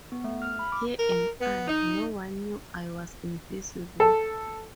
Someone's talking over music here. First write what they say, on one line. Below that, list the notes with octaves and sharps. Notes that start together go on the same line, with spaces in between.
Here am I... No one knew I was invisible!
B3
A3
F6
B5
D6
A#4
B3
D#4
A4